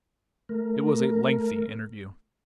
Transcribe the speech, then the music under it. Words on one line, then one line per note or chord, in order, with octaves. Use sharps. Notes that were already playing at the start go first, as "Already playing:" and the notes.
It was a lengthy interview.
A3 A#4